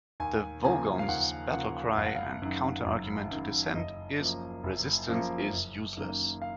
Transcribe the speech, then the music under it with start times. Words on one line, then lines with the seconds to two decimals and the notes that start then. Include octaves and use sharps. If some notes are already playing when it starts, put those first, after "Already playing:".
The Vogons' battle-cry, and counter-argument to dissent, is resistance is useless!
0.20 D#2 G#5
0.64 C#3 F3 A#3 G#5
0.99 F5
1.08 D#2 F#5
1.53 C#3 F3 A#3 F#5
1.97 F#1 F5
2.06 F#5
2.16 F5
2.42 F#2 D#3
2.86 F#1
3.31 F#2 D#3
3.74 F#1 D#5
4.19 F#2 F3 A#3
4.64 F#1
5.08 F#2 F3 A#3
5.53 F#1
5.97 F#2 D#3 A#3
6.42 F5